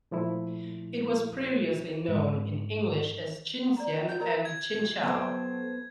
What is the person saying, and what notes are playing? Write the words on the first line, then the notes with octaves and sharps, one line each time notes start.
It was previously known in English as Chinhsien and Chinchow.
A#2 F3 A3 E4
G#2
D5 A#5
C#4
G6
F4 A#4 D#5 A#5
G#6
F#3 B3 A4 C5 G5 A5